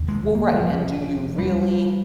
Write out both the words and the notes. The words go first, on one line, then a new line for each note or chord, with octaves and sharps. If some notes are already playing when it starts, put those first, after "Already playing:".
Well, right. And do you really
Already playing: F1 D#2 C#3
G#3
A#3
G3
F3
G3